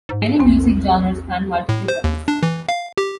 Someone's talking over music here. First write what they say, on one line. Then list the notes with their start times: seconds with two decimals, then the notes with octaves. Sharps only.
Many music genres span multiple tribes.
0.09 G#2
0.39 A#1 E2 C4
1.69 A2
1.88 C5
2.04 D#2
2.28 D4
2.43 E3
2.69 F5
2.97 G4